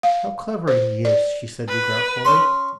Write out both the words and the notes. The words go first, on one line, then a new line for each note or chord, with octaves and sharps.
"How clever he is!" she said, regretfully.
F5
C5
D5
B4
C#4 C6